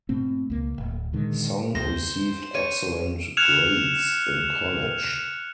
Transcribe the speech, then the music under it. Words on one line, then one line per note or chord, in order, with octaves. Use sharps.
Song received excellent grades in college.
G#2 B2 A3 C4
C#2 A#3
D1
A#2 D3 D#3 G#3
D2 C5 A#6
C#5 D#7
F6 F#6 G#6 C#7 E7 F7